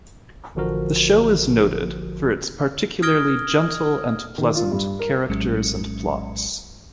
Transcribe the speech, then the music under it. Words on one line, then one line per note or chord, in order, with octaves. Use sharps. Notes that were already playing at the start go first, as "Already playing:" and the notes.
The show is noted for its particularly gentle and pleasant characters and plots.
A1 D3 F3 F#4 A#4
D#6 F6 G#6 A#6 D7 G7
D#3
F4
G2
A#4
A#1 A2 F#3 G#3 C#4 C#7